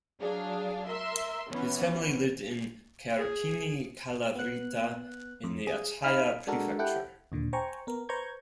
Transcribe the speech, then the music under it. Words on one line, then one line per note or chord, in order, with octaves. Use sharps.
His family lived in Kerpini, Kalavryta in the Achaia prefecture.
F#3 D4 G#4 F5
A#4 E5 C6
E3 B3 C#4
G#4
B3 F#6
F2
G#4
D#4 F5 B5 F6
G#3 D4 F#4 A4 A#4
E4 G4 A4 F#5 G5
D#2 A#2 D3
C5 G5 G#5 A#5 C#6
B3 A#4
B4 C5 A#5 C#6 G6 G#6